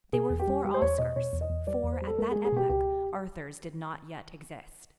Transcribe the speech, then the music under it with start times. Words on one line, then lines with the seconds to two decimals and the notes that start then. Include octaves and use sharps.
They were four Oscars; for, at that epoch, Arthurs did not yet exist.
0.13 B2 G#4
0.30 E2
0.39 G4
0.47 G3
0.64 G3 G4
0.74 C5
0.82 E2 C#5
0.98 B2 D#5
1.16 B2 C#5
1.33 E2
1.41 D#5
1.50 E2
1.67 G3 D5
1.84 E2
1.93 C5
2.02 G3
2.07 A4
2.18 G#3 A#4
2.31 G#4
2.36 G#3
2.45 G#4
2.52 B2 G4
2.69 C#2 G4